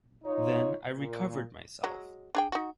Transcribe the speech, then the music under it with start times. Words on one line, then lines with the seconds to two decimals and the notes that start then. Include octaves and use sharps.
Then I recovered myself.
0.24 D#4 F4 C#5
0.97 A#2
1.84 F#3 G#3
2.35 D4 G#4 G5
2.52 D#4 F#4